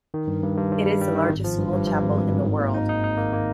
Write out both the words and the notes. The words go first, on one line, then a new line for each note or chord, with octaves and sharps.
It is the largest school chapel in the world.
D#3
G2
G2
G2
G2
G3
G3
D#3
G#1
F3
G2
G2
G2
G#1
G#1
G#1
D#3
A#3
D#4
D#4
D#4
A#3
A#3